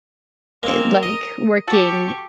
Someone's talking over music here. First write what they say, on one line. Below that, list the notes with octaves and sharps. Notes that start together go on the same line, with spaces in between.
eh, like, working
G#3 A#3 C4 A#4
D#5
F#4 G4 A4 C#6